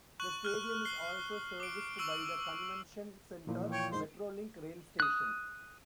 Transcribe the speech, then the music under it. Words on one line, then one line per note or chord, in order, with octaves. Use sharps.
The stadium is also serviced by the Convention Center MetroLink rail station.
C#6 F#6 F#7
F6 F#6
C7 G7
D6 D7
C#6 E6 D7 F#7
A#2 E3 F3
C#5 G5
G#2 G#3 C5
D#6 F#6